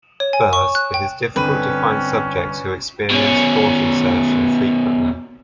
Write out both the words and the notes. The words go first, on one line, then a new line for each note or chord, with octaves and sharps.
First, it is difficult to find subjects who experience thought insertion frequently.
C#5
G#5
C#6
F#6
G5
G1 C4 C#4 A4 B4 D#7
B2 C#4